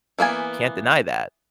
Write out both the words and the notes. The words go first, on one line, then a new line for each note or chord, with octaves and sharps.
Can't deny that,
E3 A#3 B3 G#5